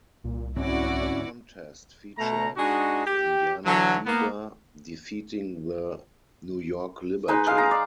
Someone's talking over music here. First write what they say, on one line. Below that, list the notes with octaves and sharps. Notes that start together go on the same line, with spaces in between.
The contest featured the Indiana Fever defeating the New York Liberty.
C2 A#2
D2 G#2 C4 C#4 E4 F#4 D5
B2 A3 A#5
G#3 D4 D#4 F#4
G4
D3 E3 F#3
A#3 B3
G#3 D#4 G#4 B4
G#3 F5
A#5
D5